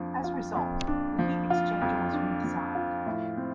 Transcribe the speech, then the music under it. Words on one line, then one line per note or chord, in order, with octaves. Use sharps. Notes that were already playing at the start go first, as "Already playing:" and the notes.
As a result, the heat exchanger was redesigned.
Already playing: F2 F3 D4
F4
F2
D4
F3
F4
F2
D4
F3
F4
A2
C4